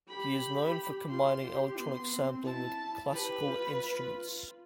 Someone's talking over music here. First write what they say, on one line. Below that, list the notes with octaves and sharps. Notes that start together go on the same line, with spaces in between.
He is known for combining electronic sampling with classical instruments.
G4 B5
F4 C6
G4
B3 C6
C4
E4 A5
G4 B4
F4
F4